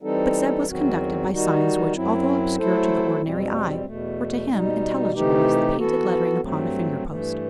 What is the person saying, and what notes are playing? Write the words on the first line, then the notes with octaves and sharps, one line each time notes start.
But Zeb was conducted by signs which, although obscure to the ordinary eye, were to him intelligible as the painted lettering upon a finger-post.
E3 G3 C4 D#4 A4
E2 D#3 F#3 C4 F#4
D#3 G3 D#4 F#4
F#2 F#3 C4 E4
F#3 A3 E4 A4 C5
E2 B2 G3 C4
E2 B2 A3
B2 G3 D#4
C3 E3 A3 D#4 G4
E3 B3 F#4 A4
G2 F#3 A3 C4
G2 E3 A3